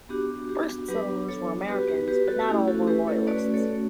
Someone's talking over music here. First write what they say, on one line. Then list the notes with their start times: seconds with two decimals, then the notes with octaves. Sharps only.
First settlers were Americans, but not all were Loyalists.
0.09 B3 D4 F#4 G4
0.49 G4
0.88 F#3 B3 D4 G4 B4
1.28 A4 C#5
1.68 B3 G4 B4
1.71 F#4
1.88 G4 B4
2.08 G4 B4
2.28 F#4 A4
2.48 A3 C#4 E4 G4
2.67 F#4 A4
2.87 G4 B4
3.07 A4 C#5
3.27 A3 C#4 F#4 B4 D5
3.54 A4 C#5